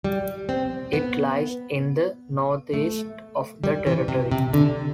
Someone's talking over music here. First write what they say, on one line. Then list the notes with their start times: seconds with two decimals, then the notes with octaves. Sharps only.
It lies in the northeast of the territory.
0.04 G3
0.49 C4
0.93 B3
2.74 A3
3.64 G3
3.87 E3
4.08 C3
4.31 C3
4.53 D3